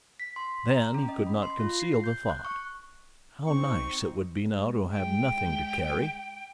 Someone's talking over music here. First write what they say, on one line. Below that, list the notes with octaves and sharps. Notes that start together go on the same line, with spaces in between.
Then he could not conceal the thought: "How nice it would be now to have nothing to carry!"
B6
C6
A#5
C#4
D#5
B5
C6
F4
C7
G6
F#6
C#6
C4 D#4 C#6
G#3
G5